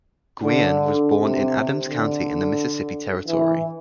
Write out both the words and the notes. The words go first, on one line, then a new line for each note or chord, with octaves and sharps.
Guion was born in Adams County in the Mississippi Territory.
D3
C3
D3
E3